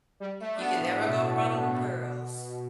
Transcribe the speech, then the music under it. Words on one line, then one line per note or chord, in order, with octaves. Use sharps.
You can never go wrong with pearls.
G3
A3
D4
B3
A2
A2
B2
A2
A2
B2